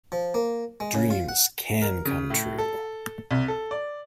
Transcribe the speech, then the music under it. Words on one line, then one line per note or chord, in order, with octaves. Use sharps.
Dreams can come true.
F3
A#3
G#3
C#3
F4
F#5
A#4
C#3
A2
A4
C2
A4
D5